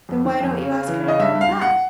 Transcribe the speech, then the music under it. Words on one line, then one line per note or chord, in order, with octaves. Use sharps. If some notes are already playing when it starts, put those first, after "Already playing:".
"Then why don't you ask her to come back."
F2
D#3
F2
C#3
C#3
E3
C#3 D#5
G2 E5
G2
F5
G2
F#5